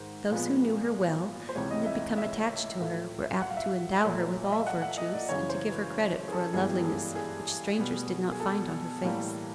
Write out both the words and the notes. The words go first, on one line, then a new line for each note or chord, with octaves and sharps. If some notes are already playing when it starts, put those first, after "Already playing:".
Those who knew her well, and had become attached to her, were apt to endow her with all virtues, and to give her credit for a loveliness which strangers did not find on her face.
Already playing: G#2 D#3 C5
A#2 F3 G#3 B3
C5
C#2 C3 E3 G#3 C#5
D#5
E5
E5
A2 F3 A3
F#5
F5
E5
F5
A#2 F#3 A3
D#5
E5
F5
F#5
F#5
D#5
D5
F#2 C#3 E3 C#5
C5
B4
G#4
A4
G2 E3 G#3 B3 G#4
G4
A4
G#4
G#4
B2 G3 B3
G#4
A4
A2 E3 G3 A#3